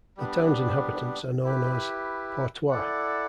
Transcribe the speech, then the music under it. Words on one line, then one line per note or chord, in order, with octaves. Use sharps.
The town's inhabitants are known as "Portois".
G3 B3 D4
E4 G4 B4
E4 A4 D5 F#5